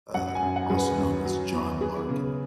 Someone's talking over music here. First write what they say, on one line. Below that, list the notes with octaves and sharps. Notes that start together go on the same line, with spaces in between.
uh, also known as John Larkin.
F#2 F#5
G#5
F#2
F#5
F#2 G#4
B4
F#2
F#3
B3
B3 G#4
C#3